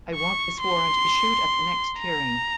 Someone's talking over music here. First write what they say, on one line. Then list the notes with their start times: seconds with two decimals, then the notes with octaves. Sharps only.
I want this warrant issued at the next hearing.
0.15 C#6
0.61 C6
1.99 A#5